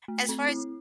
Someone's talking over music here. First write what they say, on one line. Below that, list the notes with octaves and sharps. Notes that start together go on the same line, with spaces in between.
as far as
A3
C4
E4